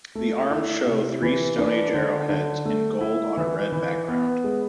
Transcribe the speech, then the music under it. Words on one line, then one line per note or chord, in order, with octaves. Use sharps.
The arms show three Stone Age arrowheads in gold on a red background.
A3
E4
C3
E3
D4
D3
D3
A3
E4
E3
E3
B3
G#3